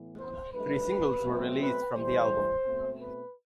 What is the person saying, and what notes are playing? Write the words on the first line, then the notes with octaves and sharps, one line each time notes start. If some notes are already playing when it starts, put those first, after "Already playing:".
Three singles were released from the album.
Already playing: A2 E3 B3
C5
G2 F#3 A3 B4
B2 F#3 A3 C4
B4
A2 E3 G3 C5
B2 A3 C4
B4